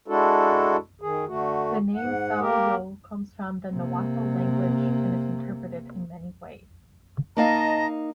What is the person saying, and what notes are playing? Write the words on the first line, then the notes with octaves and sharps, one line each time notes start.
The name Sahuayo comes from the Nahuatl language, and is interpreted in many ways.
G#3 D4 E4 F#4 A4
D#3 G#4
D3 A3 F#4
G#2 F#5
A#3 G4 A#4
C3 A#3
A#3 D#4 D#5 F5 A5 A#5